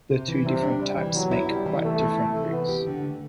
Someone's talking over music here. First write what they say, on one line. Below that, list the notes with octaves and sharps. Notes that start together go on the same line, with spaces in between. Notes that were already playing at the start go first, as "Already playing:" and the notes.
The two different types make quite different bricks.
C3
E3
C3 G3
D4
C3 G3
E3
F#3 B3
E4
C3 G3
E3
A3 B3
E4
C3
E3
B3 C4
G4
D3
A3